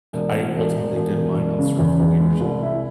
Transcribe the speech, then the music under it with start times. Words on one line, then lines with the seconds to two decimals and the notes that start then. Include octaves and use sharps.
I ultimately did mine on servant leadership,
0.13 E1
0.34 E1
0.55 E1
0.76 E1
0.96 E1
1.17 E1
1.37 E1
1.58 C#3
1.79 E2
2.00 E2
2.20 G#3
2.40 C2
2.62 E4